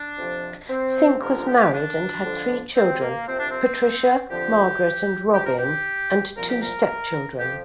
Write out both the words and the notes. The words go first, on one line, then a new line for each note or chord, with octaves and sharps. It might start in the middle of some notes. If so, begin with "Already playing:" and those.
Sink was married and had three children, Patricia, Margaret, and Robin, and two stepchildren.
Already playing: D4
F2 C3 F3
C4
G2 D3 F3 A#4
F4
G4
D4
F2 D3 F3
C4
A#3
C2 C3 F3 C4
D4
C4
F2 D3 F3 G4
G2 F3 G4
A#4
G4
C2 A#2 F3 A#4
G4
A#4
F2 F3 G4